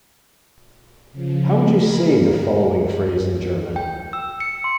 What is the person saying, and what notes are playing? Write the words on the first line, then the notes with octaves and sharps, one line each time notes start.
How would you say the following phrase in German?
C#3 F3
G#4 A#4 B5
A#4
G5
E6
C#7
C6